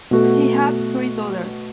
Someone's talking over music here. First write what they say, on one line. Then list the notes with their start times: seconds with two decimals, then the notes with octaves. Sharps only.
He had three daughters.
0.11 B2 A3 F#4 A4